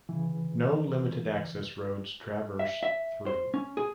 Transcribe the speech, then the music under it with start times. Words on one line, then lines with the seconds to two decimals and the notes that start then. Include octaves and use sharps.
No limited access roads traverse through.
0.09 C#3 E3
2.59 E5
2.83 E5
3.26 C5
3.54 C#4
3.77 G#4